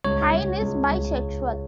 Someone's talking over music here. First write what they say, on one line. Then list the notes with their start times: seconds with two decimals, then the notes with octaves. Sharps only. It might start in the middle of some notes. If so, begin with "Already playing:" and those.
Hine is bisexual.
0.05 C#2 C#5
0.33 C#2
0.62 C#2
0.91 C#2